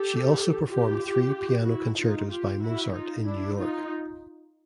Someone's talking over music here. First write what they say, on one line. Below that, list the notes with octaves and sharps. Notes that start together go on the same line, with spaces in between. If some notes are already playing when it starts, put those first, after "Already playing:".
She also performed three piano concertos by Mozart in New York.
Already playing: G4 A4
F4 G4
E4 F#4
D#4 F4
F4 G4
E4 F#4
D#4 F4
D4 E4
D#4 F4